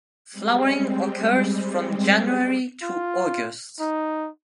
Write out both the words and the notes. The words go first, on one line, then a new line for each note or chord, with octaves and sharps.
Flowering occurs from January to August.
G3 G#3 C4
F4
D#4